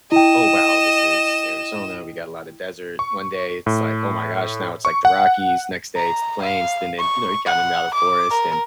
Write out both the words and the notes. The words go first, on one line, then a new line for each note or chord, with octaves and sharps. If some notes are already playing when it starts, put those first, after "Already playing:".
"Oh, wow, this is Arizona, we got a lotta desert." One day it's like, "Oh my gosh, now it's, like, the Rockies," next day it's the Plains, and then, you know, Dandakaranya Forest, and
E4 D#5 G5 E7
C#6
A2
C#6
F#5
A#5
F5
C#6
F#5
D6
A#4